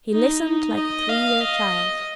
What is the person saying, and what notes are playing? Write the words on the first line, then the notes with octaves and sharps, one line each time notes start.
"He listened like a three-year child."
D#4
D#4
D#5
F5
D#5